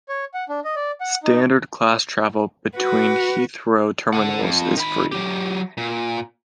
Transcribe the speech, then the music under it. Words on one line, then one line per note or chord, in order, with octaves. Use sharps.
Standard class travel between Heathrow terminals is free.
C#5
F#5
D4
D#5
D5
F#5
D#4
F#4 B4
A4 F#5
F2
D#3 B5
F#3 G4
A#2